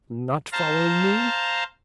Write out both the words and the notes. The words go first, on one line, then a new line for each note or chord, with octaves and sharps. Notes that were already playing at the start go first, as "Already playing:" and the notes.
Not following me?
C5 F5 A5 A#5